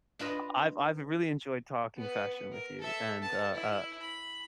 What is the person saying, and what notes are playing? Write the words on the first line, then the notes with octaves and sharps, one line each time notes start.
I've I've really enjoyed talking fashion with you, and, uh, uh,
D4 F4 B4 D#5
B3 B4
A#4
A4 E5
B3 A5
E4
B5